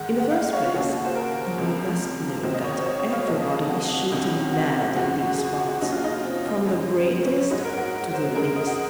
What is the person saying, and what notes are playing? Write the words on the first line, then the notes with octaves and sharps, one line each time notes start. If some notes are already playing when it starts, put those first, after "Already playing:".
In the first place you must know that everybody is shooting mad in these parts, from the greatest to the least.
Already playing: G#2 D#3 G#3 F#5
F#5
F5
C#5
F4
D#2 C#3 G#3 F#4
C5
A#4
C#2 C3 F3
C#2 C3 D#3 F#3 C5
D#5
C#5
C5
C#5
C#5
F5
F2 C3 F3 G#3 D#5
F#4
C#2 C3 D#3 F#3
F#4
F#2 F3 G#3 F#4
G#4
F#4
D#2 C#3 F#3 D#4
F4
D#4
C4
C4
F#2 C#3 G#3
C#4
C#4
G#2 F#3 D#4
A#4
F#5
C5
F#2 C#3 G#3 A#4
D#5
F#5